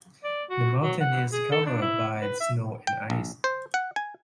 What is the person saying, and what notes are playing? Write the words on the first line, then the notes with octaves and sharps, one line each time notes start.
The mountain is covered by snow and ice.
D5
F#4
F#3
F#5
G#4
A4
D4
E4
B4
E5
G5
A#1
C5
F#5
G#5